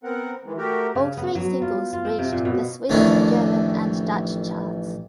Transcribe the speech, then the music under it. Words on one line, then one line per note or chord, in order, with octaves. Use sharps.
All three singles reached the Swiss German and Dutch charts.
B3 C4 A#4 F#5
D#3 E3 G#3
A3 F#4 G4 A#4
C#3
B3
F#3
F4
F4
C4
C3
A#2
B2
A1 F2 D#3 E3 C#4 D4